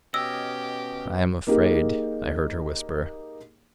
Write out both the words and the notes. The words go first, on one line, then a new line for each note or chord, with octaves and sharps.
"I am afraid!" I heard her whisper.
B2 C#4 G4 D#5 E6
A#3 D#4 G4 G#4 A#4